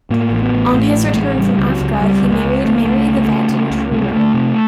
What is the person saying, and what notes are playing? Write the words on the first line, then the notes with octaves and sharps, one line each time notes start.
On his return from Africa he married Marry Livett in Truro.
A2 A#3
A1
B3
A1
A2 A3
A1
G#3
A3
A2 G#3
C#3 G3
C#2
F#3
C#2
G#3
C#2 G3
C#2
G#3
C#2
C#2 A3
A#3
C#2 A3
C#3
C#3
C#3
C#2
C3 A3
G#3
D2 A3
C3